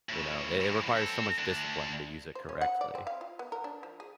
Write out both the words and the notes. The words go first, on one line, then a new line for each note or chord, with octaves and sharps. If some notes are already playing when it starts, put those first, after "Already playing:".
you know, it it requires so much discipline to use it correctly.
A2 C#3
F#2 E3
C4 A4
D2 D4
C5
C#4
F#5
D5
C4
F5
F4
B3
A#4
D4
F3
G#4